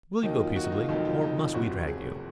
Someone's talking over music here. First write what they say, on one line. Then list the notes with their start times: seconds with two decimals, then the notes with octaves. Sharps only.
"Will you go peaceably or must we drag you?"
0.23 D#2 D#3 F#3 D#4
0.39 F4
0.56 F#4
0.64 D#4
0.72 F4
0.89 F1 F2 D#3 F#3 D#4
1.05 F4
1.21 D#4
1.38 F4
1.54 F#1 F2 C3 F3 F#4
1.87 G#4